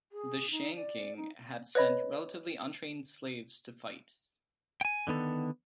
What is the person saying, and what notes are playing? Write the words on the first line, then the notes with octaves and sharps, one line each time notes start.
The Shang King had sent relatively untrained slaves to fight.
G#4
D#4
D5
D#4
B4 C#5 D#5 B5
G5 G#5
D3 D#3 B3 A4